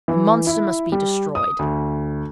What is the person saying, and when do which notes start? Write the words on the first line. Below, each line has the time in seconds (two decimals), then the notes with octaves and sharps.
"The monster must be destroyed."
0.08 E3
0.47 E4
0.92 G3
1.35 D#6
1.59 D2